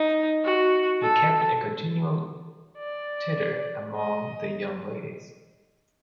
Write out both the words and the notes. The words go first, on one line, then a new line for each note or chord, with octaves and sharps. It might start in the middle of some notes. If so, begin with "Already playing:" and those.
He kept a continual titter among the young ladies.
Already playing: D#4
F#4
A4
D5
D#5